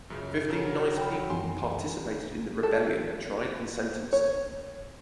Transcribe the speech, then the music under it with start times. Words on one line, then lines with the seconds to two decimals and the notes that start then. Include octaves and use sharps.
Fifteen Nice people who participated in the rebellion were tried and sentenced.
0.10 C#2 F#2 C#3
0.48 C#3 F#3 A4 A#4
0.98 G5 B5
1.30 F#2 E3 G#5 C6
1.60 C#2
2.63 A4
4.13 C#5